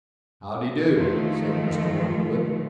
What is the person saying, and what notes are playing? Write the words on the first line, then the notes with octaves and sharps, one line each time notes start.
"How dee do," said Mr. Boltwood.
D#3 F3 A3